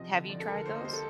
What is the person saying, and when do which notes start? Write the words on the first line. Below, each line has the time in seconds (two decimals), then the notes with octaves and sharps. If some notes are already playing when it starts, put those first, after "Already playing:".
Have you tried those?
Already playing: C3 F3 D#5
0.11 D3
0.30 F3 D5
0.40 A4
0.47 D3 A#4
0.66 A#3 C5
0.75 D#5
0.84 G3 C5
0.93 A4